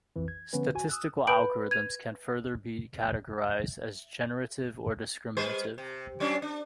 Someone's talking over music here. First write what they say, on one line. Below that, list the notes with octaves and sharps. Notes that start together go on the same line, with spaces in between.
Statistical algorithms can further be categorized as generative or discriminative.
A#1 F2 E3
G#6
D3 F3 B3 C#4 B4
F#4 G#5
D#6 E6 F#6
B4 B5 G6 D7 F#7
G#6 D#7 F7
G3 B4 C5
C3
F#3 C#4 D4
D4